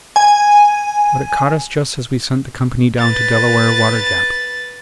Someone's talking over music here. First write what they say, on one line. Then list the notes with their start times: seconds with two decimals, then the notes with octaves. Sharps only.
But it caught us just as we sent the company down to Delaware Water Gap.
0.16 G#5
2.99 B4 A6